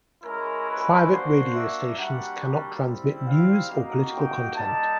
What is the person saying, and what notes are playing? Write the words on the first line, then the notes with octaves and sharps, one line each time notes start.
Private radio stations cannot transmit news or political content.
G#3 C#4 E4 A#4
B4
A#3 D4 F#4 C5
E5
G3 A#3 D4 F#4 F#5
G3 C4 E4
F5
A#3 D#4 F#4
G5
G3 A#3 D#4 A5